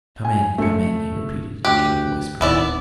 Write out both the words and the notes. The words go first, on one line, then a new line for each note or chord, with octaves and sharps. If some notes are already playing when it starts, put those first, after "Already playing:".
"Come in, come in!" he repeated in a gentle whisper.
G#5
C#3 A3 C#7
D2 G4 F#6
D1 D#3 B3 E4 D5